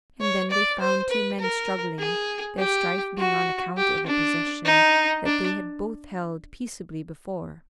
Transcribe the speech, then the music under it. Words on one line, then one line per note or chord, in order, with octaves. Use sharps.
And then they found two men struggling, their strife being on account of a possession that they had both held peaceably before.
C#5
D5
C5
B4
A#4
G#4
G4
F#4
G4
D4
D#4
D4